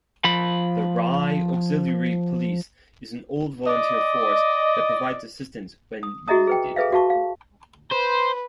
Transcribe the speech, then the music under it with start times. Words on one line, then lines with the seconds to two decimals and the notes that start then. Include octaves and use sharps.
The Rye Auxiliary Police is an all-volunteer force that provides assistance when needed.
0.24 F3 B5
3.66 D5 D#5
6.03 D#6
6.28 F#4 G#4 D#5 E5 A#5 D#6
6.47 G#4 B4 G5
6.76 G#4 A4 B4 E5 F5
6.92 F#4 F5 A5 C#6
7.10 F5
7.91 B4 C5